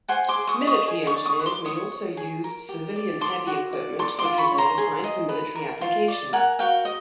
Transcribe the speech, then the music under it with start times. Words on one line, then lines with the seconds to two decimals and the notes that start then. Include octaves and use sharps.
Military engineers may also use civilian heavy equipment which was modified for military applications.
0.08 C5 F#5 G#5
0.28 C6 D6
0.35 G#4
0.47 C#6 D#6
0.61 D#5
0.67 C#6 D#6
0.88 G#4
1.07 C#6 D#6
1.13 D5
1.25 C#6 D#6
1.39 B4
1.46 C6 D6
1.65 C#5 C#6 D#6
1.92 C#5
2.17 G#4
2.44 A#4
2.69 G4
2.96 D5
3.21 A4 C6 D6
3.47 F#4
3.73 D5
3.99 A4 C6 D6
4.19 C6 D6
4.25 F4
4.38 B5 C#6
4.52 C#5
4.58 A#5 C6
4.78 G#4
5.04 D#5
5.29 B4
5.55 A#4
5.81 F4
6.08 D5
6.33 A#4 F#5 G#5
6.59 F#4 F5 G5
6.85 D#5